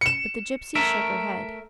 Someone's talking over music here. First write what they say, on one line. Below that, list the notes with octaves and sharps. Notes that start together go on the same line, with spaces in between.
But the gipsy shook her head.
C#7 E7
A3 A#4 E5